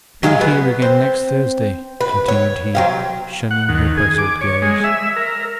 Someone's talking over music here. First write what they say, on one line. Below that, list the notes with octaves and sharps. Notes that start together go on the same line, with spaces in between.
'And be here again next Thursday,' continued he, shunning her puzzled gaze.
F#3 G#3 G#4 F5
B3
C4
B4
C#5
F#3 C4 F5
F#5
D#2
G#4
D6
C#5
G#3
E5
A#4